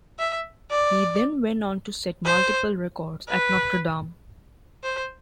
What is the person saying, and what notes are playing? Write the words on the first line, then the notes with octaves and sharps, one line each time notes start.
He then went on to set multiple records at Notre Dame.
E5
D5
C5
B4
C5